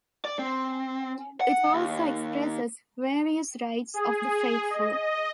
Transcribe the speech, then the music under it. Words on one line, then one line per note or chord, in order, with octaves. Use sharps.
It also expresses various rights of the faithful.
D5
C4
F#5
D#2
G#4
D#5